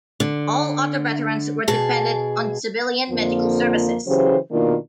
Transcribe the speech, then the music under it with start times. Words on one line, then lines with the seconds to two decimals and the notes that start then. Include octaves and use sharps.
All other veterans were dependent on civilian medical services.
0.20 D3
1.68 B2 G#4 A5
3.10 F2 D3 F3 A#3
4.06 C#3 E3 F#3 G4 C5
4.52 B2 D#3 A#3 D4 F4